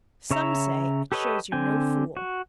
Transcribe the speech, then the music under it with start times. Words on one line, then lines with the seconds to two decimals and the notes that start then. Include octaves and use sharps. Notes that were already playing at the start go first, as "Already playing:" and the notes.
Some say "it shows you're no fool."
0.31 C#3 C#5 E5 A#5
1.12 G4 A4 B4 C#5 D#5
1.52 D3 C4 G5 G#5
2.17 F#4